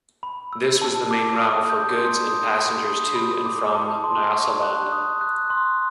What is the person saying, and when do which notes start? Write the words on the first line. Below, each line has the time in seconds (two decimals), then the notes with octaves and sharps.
This was the main route for goods and passengers to and from Nyasaland.
0.23 B5
0.53 E6
0.82 A5
1.11 D6
1.40 D#6
1.70 G6
1.99 C6
2.29 D#6
2.58 B5
2.87 D#6
3.16 B5
3.46 D6
3.75 A5
4.04 C6
4.33 C#6
4.63 F#6
4.92 D#6
5.21 F#6
5.50 C6